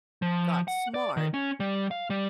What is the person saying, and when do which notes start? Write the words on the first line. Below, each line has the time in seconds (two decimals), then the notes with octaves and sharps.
got smart,
0.22 F3
0.68 F#5
0.94 D5
1.17 D#3
1.34 C#4
1.60 G3
1.91 F5
2.10 G3